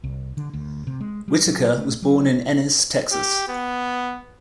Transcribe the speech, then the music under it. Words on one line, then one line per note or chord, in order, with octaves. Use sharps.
Whitacre was born in Ennis, Texas.
C2
D3
D2
C3
G#3
G3
F#3
A3
F#3
G4
B3